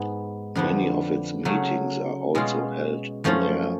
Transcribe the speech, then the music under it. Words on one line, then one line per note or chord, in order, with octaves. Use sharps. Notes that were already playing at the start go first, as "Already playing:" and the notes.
Many of its meetings are also held there.
Already playing: G#2 G#3 B3
F2 D3 F3 B3 D4
C#3 F#3 A3
B2 G#3 C#4 F4
F#2 F3 A3 C#4 F4